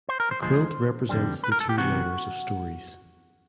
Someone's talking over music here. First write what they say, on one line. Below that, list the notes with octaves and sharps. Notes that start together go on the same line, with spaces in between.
The quilt represents the two layers of stories.
C5
A#4
C5
D2 C#3 F3 G#3 C5
F2 D3 G3
B4
A#4
A4
G4
C3 E3 F#4